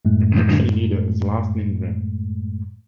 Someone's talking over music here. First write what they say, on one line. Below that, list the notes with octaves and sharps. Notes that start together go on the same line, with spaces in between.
The union leader is Lars Lindgren.
F#2 A2 G#3 A3